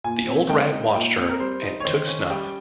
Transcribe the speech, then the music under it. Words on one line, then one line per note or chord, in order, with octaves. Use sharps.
The old rat watched her, and took snuff.
A#2 G#5
C4
G#3 G5
D#4
A#2 G5
C4
A#4
G3 C5
D#4
C#5
D#3 C5
C#4
G3 G5